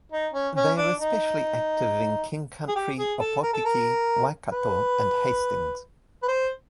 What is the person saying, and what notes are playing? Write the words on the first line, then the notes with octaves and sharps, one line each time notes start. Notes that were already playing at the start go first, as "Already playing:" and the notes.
They are especially active in King Country, Opotiki, Waikato and Hastings.
D#4
C#4
C#4
D4
D#4
G#4
G4
G#4
A4
A#4
A4
A#4
B4
B4
C5